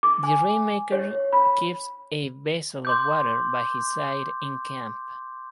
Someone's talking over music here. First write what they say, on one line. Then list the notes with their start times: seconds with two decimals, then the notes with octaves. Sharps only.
The rain-maker keeps a vessel of water by his side in camp.
0.03 D6
0.23 G#5
0.92 C#5
1.33 B5
2.85 C6 D6 G6